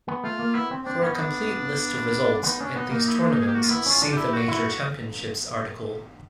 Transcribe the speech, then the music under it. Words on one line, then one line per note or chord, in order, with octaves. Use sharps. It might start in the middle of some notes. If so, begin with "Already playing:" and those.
For a complete list of results in these tournaments see the major championships article.
B3
A3 F4
A#3
B3 E4
C4
C4 D4
B3 C#4
D#4
D4
D4
B3 D#4
C#4 D4
B3 D#4
A#3 D#4
E4
D#4
D4
D#4
G#4
G4
F#4
F4
B3 E4
C#4
F4
D4
E4 G4
F#4
E4